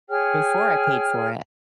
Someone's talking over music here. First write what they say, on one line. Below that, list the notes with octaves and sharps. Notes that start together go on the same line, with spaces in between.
before I paid for it.
G#4 C#5 G5 F6